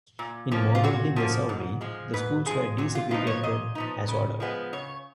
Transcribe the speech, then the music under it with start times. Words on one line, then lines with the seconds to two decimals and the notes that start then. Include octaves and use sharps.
In Moberly, Missouri, the schools were desegregated, as ordered.
0.19 A#2
0.51 F3 A#3 C#4
0.75 F4
0.84 A#2 F#4
1.16 F3 A#3 C#4
1.49 G#2
1.81 F3 G#3
2.13 G#2 B4
2.46 F3 G#3 G#4
2.78 A#2 F#4
2.95 F4
3.11 F3 B3 D#4 F4
3.27 C#5
3.43 A#2 D#5
3.75 F3 B3 D#4
4.08 C#3
4.40 F3 G#3 B3
4.73 C#3 C#5